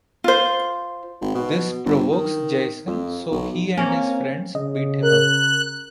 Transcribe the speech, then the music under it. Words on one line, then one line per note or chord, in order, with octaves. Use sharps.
This provokes Jaison so he and his friends beat him up.
F4 C5
G#1
B2
G1
D#3
F2
B1
A#3 C4 C#4
C#3 D#5
A#4 F#6